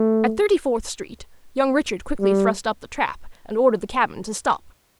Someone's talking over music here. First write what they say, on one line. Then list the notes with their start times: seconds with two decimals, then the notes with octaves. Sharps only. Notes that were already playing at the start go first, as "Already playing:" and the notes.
At Thirty-fourth Street young Richard quickly thrust up the trap and ordered the cabman to stop.
Already playing: A3
2.21 G3